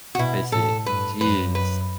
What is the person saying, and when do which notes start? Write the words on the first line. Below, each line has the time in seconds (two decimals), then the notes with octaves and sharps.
I see. Jeez.
0.15 F#4
0.19 B2 E4
0.52 A2 A4
0.86 G2 B4
1.21 F#2 B4
1.55 B4